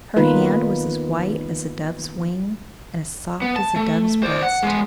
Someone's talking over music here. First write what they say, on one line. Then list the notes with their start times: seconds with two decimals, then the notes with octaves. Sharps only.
Her hand was as white as a dove's wing and as soft as a dove's breast.
0.16 D#3 A#3 B3 D#4 F4 B4
3.42 B3
3.56 A5
3.76 A3
4.23 C5 D5
4.42 F#5
4.63 G#3 B3